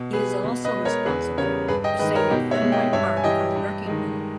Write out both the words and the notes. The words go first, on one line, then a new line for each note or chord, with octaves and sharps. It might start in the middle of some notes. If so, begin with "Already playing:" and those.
He is also responsible for saving Fenway Park from the wrecking ball.
Already playing: B2
G3 G#4 B4
B2
B4 D#5
G#3
A#4 C#5
E2 G#4 B4
C#3 G3 A#4 C#5
G2 G#4 B4
D#5 G5
D#3 G#3 B4 D#5
A#4 C#5
B2 D#4 G4
C#5 E5
G#3
D#5 G5
G2 C#5 E5
G#5
E3 G3 D#5 G5
G2
D#3 G#3